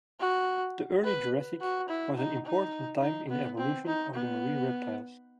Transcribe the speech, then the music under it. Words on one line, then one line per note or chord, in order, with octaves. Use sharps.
The Early Jurassic was an important time in the evolution of the marine reptiles.
F#4
B4
F#4
E4
D#4
D#4
D#4
B3
C4
D#4
B3